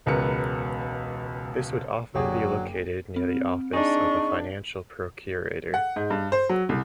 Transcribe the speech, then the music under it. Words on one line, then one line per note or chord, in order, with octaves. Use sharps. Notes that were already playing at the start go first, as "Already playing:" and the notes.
This would often be located near the office of the financial procurator.
E1 C#2 A#4 B4 C#7
F#1 D3 F#3 G4 G#4
C4
D4 D#4 G#4 C#6
F#5
G#2
G2
C5
F#3
C2